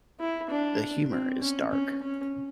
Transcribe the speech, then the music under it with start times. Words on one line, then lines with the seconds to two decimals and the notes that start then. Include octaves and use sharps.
The humor is dark.
0.20 E4
0.50 D4
1.11 C4
1.41 C#4
1.71 C#4
2.02 C#4